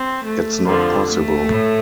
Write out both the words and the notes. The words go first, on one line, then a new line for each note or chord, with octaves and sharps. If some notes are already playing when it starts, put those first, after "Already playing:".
It's not possible.
Already playing: C4
A3
F2 D3 F3
A3
A2